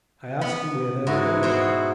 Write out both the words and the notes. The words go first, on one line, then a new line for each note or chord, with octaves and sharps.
I asked them where they were going.
B3 B5
G#2 E4 F#4
B2 C5